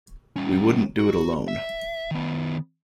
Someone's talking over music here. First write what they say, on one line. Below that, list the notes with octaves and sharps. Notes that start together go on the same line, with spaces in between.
We wouldn't do it alone.
G3 C#4
F#4
E5
D#3 B3